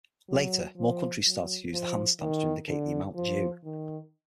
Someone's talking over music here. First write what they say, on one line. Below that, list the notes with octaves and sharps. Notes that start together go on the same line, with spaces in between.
Later more countries started to use handstamps to indicate the amount due.
F#3
F3
F#3
F3
D#3
D3
F3
D#3